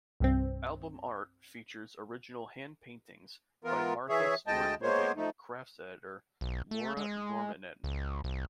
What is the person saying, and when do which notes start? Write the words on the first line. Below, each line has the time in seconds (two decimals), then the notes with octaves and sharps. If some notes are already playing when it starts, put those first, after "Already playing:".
Album art features original hand-paintings by "Martha Stewart Living" crafts editor Laura Normandin.
0.20 C2 G2 C4
3.64 E3 B3 F4 A#4
4.09 E3 G#4 C#5 E5
4.47 D2 G#3 D#5 G5 A5
4.82 G#3 A#3 B3 C5 C#5
5.17 F3 A3 D#4
6.41 B1
6.71 A3
6.97 G#3
7.84 C#2
8.24 C2